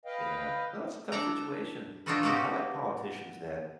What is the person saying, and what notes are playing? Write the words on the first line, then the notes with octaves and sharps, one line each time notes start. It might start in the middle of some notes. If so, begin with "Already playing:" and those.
Yeah. No, it's a tough situation, I mean, I like politicians that
B4 D#5 F5 G5
D4 A4 D5 A#5
D4 D#4 F4 F#4 A4 B4
A#3 B3 D#4 F#4 G4